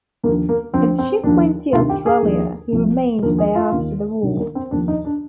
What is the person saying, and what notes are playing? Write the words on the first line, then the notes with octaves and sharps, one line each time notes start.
His ship went to Australia; he remained there after the war.
D#2 D3 F3 A#3
A#3
D2 D3 F3 C4
C4
D#2 D3 F3 D4
D2 C3 D#3 F4
G4
G#4
D#2 D3 F3
C2 C3 F3
D#2 D3 F3 A#4
G#4
F4
D#2 D#3
D2 C3 D#3
A#3
C4
D#2 D3 F3 D4
D#4
D4